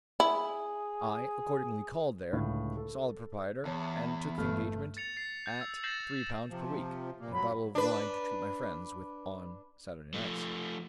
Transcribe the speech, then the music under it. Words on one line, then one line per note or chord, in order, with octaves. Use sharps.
I accordingly called there, saw the proprietor, and took the engagement at three pounds per week, and a bottle of wine to treat my friends with on Saturday nights.
E4 G#4
C#2 A2 D3
A4
E2 C#5 A5
G1 A3 F6
A6 C#7 F7
A6 C7
G6 A6
E6
G6 A6 A#6 C7 E7 F#7
C3 F3
A#2 A#3
G2 F#3 B5
D4 B4
F3 A3